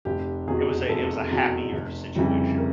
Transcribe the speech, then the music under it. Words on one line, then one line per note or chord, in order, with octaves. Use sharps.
it was a it was a happier situation.
F1 G4
E2 B2 G#4
F1 A4
E2 B2
F1
F2 C#3 E3 G3
A#4